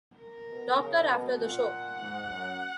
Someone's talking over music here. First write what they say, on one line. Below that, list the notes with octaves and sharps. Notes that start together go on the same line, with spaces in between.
Doctor after the show.
A#4
B2
C#3
B2
A#2 F#5
G#2
F#2